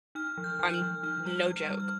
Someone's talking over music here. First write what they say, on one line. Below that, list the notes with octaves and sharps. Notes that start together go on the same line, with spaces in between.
I'm no joke.
D#4 F6
F3
G6
F3
F6
F3
D#4 F6
G3
G3 F6
G3
F6